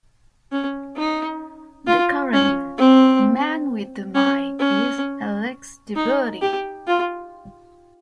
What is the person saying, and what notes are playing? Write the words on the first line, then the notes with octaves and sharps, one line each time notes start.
The current "Man with the Mic" is Alex Davoodi.
C#4
D#4
F4
C#4
C4
C#4
C#4
D#4
G4
F4